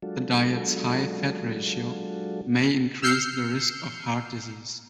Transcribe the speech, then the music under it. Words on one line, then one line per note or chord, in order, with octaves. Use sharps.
The diet's high fat ratio may increase the risk of heart disease.
F#3 G#3 D4 F4 F#4 A4
E6 F6 G6 C7 C#7